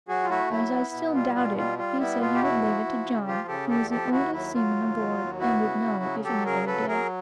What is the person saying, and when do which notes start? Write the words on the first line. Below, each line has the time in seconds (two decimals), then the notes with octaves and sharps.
As I still doubted, he said he would leave it to John, who was the oldest seaman aboard, and would know, if anybody did.
0.08 F#3 F#4 G#4
0.24 F4
0.30 A3 E4 F#4
0.51 F#3 E4
0.72 B3
0.94 B2
1.14 G3 F4
1.36 B2 F4
1.57 G3 F4
1.78 G3 F4
1.99 B3 E4
2.21 B2 F4
2.35 G4
2.42 E2 E4 F#4
2.63 F3
2.85 F3
3.06 C#3
3.27 F3 F4 G4
3.48 C#3 G4 A4
3.69 E2 G4 A4
3.90 F3 G4 A4
4.12 D#2 E4 F#4
4.33 F#3 E4
4.54 F#3 F4
4.76 D#2
4.97 F#3
5.18 D#2
5.39 B3 E4 F#4
5.61 C#3
5.82 C#3
6.04 F#3
6.24 F#3 G4 A4
6.46 C#3 G#4 A#4
6.67 F#3 A4 B4
6.88 F#3 G#4 A#4